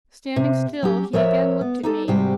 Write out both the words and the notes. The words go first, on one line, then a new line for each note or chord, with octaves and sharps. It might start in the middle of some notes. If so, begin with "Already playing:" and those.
Standing still, he again looked at me.
C3
F#3 C#4 G4
F3 A#4 C#5 E5
B3
D#4 G4 A4
G#2 C3 G3 F#4 G4